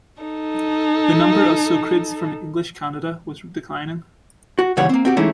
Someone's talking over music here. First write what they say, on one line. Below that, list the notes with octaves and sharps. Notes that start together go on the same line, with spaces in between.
The number of Socreds from English Canada was declining.
D#4 A4
F#4
D#2 C#3 E3 G3 C#5 F#5
A#3 C4
C4 F#4 G4
E3 G#3 A3 C#4 D#4 E4